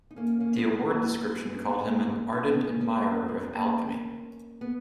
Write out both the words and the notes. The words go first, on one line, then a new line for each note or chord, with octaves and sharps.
The award description called him an ardent admirer of alchemy.
D#4
A#3 C#4
A#3 C#4
G#3 B3
G#3 B3
F#3 A#3
G#3 B3
B3 D#4
A#3 C#4
B3 D#4
B3 D#4
A#3 C#4
A#3 C#4
G#3 B3
A#3 C#4
B3